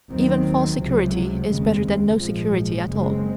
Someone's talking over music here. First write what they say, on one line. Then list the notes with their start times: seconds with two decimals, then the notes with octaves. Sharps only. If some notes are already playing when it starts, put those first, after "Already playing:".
Even false security is better than no security at all.
0.12 D#2 D#3 F#3 C4
0.80 C#2 C3 F#3
1.50 F1 D#2 C#3 G#3 C4
2.18 A#1 G#2 F3 G#3
2.87 F#1 F#2 C#3 G#3 C4